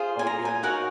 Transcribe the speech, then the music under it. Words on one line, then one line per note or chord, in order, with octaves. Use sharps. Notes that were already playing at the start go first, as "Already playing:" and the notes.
Oh, yeah.
Already playing: F4 G#4 C5
G#5
A#5
G#5
D#4 F#4 A#4 C#5 F#5